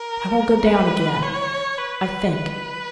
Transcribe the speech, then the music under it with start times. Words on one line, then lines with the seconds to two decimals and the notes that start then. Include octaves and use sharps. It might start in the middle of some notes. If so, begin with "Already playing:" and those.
I will go down again, I think!
Already playing: A#4
0.67 B4
1.22 C#5
1.78 B4
2.33 B4